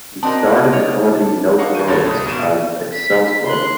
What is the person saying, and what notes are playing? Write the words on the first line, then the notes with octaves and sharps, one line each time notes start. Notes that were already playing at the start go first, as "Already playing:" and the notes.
He starred in the comedy "No Heroics" as Excelsor.
C4 F#4 A#4 D5 D#5 A5
C#5
D#5 F5 F#5 A5 C#6 D6
D#2 G6 D#7
C#2 G2 C#5 A5 A6
C2 D#5 D#6
D#2 G#2 B2 D#7 E7
B6
C6 F#6